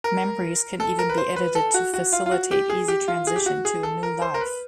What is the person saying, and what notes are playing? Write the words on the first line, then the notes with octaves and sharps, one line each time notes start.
Memories can even be edited to facilitate easy transition to a new life.
A#4
A4
A#4
B4
C5
B4
A4
F#4
F#4
F4
F4
F#4
G4
G#4
G4
F4
G#4
G4
F#4
G#4
A4
A#4
C5
A#4
B4